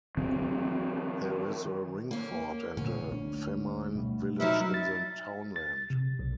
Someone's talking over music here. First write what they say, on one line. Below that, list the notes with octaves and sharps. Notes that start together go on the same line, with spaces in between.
There is a ringfort and a famine village in the townland.
D#3 E3 F#3 C4
A#3 C#4
D2 A#2 D3 C#4
D2 A#3 D4
B2 G3 A3
F#3 D#4 E4 A#4 E5
A6
A6
C3
B1